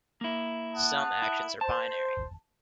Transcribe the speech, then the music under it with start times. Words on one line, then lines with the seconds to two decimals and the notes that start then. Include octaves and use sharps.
Some actions are binary.
0.21 A#3 E4
0.73 F#5 A5 D#6
1.22 E4
1.61 C5 A5